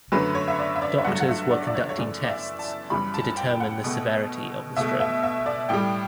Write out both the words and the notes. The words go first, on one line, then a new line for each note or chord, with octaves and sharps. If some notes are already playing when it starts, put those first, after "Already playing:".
Doctors were conducting tests to determine the severity of the stroke.
F#2 D3 F#3 A3 B4
C#5
E5
D5
E5
D5
E5
G2 F#3 A3 F#5
F#5
E5
D5
D5
C#5
C#5
F#2 E3 A3 D5
D5
E5
A5
F#2 E3 G3 B5
A5
G5
F#5
B2 A3
B2 A3 E5
E5
E5
D5
A2 G3 G5